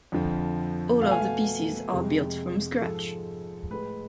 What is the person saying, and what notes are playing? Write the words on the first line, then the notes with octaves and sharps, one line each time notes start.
All of the pieces are built from scratch.
F2 D3 F3
B2 A3 F5
G#5
F5
F2 C3 G#3
G#2 F3 G#3 A4
A2 G#3 B4